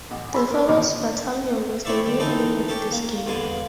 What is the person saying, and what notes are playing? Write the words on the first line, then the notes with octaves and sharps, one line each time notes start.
The Phobos Battalion is the new enemy of this game.
A1
G#4 B5 C6 E6
A#4 C#5
G#1 A#2 F6
A3 C4 E4 C#5 D5 E5
D3 G3
E3 C4 D#4 A4 A#4
C#4 G4 A4
A#3
E2 D3 F4 G#5